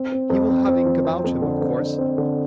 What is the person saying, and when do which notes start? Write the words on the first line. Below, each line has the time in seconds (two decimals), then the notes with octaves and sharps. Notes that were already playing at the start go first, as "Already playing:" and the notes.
He will have ink about him, of course.
Already playing: C4
0.12 C4
0.30 F2
0.49 C4
0.68 C4
0.86 F3
1.05 C4
1.24 F2
1.42 D3
1.62 F2
1.80 D3
1.98 C4
2.18 D3